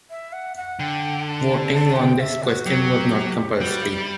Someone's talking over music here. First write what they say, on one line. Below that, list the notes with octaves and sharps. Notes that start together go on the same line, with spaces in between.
Voting on this question was not compulsory.
E5
F#5
F#5
D3 G5
A5
A5
G5
E5
F#4
F#3 G4
G3 F#4
E4